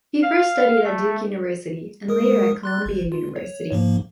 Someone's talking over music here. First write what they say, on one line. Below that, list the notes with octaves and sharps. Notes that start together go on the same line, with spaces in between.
He first studied at Duke University, and later at Columbia University.
F5
A3
G#3 A#4 D#6
C6 F#6 A6
G#1
F4
C#5
G#2 F3 A#3